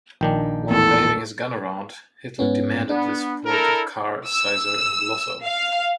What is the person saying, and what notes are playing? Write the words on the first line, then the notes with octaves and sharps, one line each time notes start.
While waving his gun around, Hitler demanded the support of Kahr, Seisser, and Lossow.
A#1 D#3 D4 G5
E2 A2 A4
G#2 B3 C#4
B3 D4
E4 A4 A#4
E6
F5